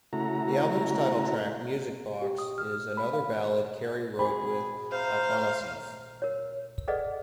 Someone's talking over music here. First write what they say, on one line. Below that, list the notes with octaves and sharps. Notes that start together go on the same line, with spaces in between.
The album's title track, "Music Box", is another ballad Carey wrote with Afanasieff.
C#3 A3 E4 F#4 A#5
G4
D#6
F6
B5
F5
C4 F#4 G#4 B5
C#2 C5 E5 F5 A#5
A#4 C#5
G#4 A4 B4 D5 D#5 F#5